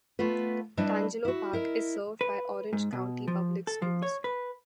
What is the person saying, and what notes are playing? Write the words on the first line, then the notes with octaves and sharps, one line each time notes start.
Tangelo Park is served by Orange County Public Schools.
A3 B3 F4 B4
G3 D4 E4 B4 D#5 E5
E4 F#4
E4 A#4 D#5
B4
G#2
B2
F3
A4
F3
C#5
B4